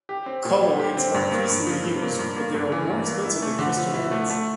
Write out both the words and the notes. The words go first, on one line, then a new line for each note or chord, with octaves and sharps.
Colloids are increasingly used but they are more expensive than crystalloids.
G4
C4
A#2
G3
G4
C4
G2
A#3
G2
F3
G2
A#3
G2
A#3
G2
E3
G2
A#3
E4
A3
D3
F3
E4
A3
A3